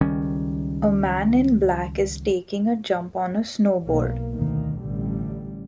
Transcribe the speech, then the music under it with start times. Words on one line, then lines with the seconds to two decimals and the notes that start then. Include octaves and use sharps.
A man in black is taking a jump on a snowboard.
0.01 C#2 D#3 G3 C#4
3.87 B1 A#3
4.31 D2 B2 D#3 A#3
4.80 A1 D3 G3